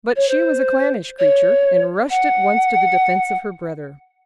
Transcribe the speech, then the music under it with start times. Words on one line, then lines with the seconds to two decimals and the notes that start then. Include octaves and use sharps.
But she was a clannish creature, and rushed at once to the defence of her brother.
0.16 C#5
0.28 C5
1.19 C#5
2.10 F#5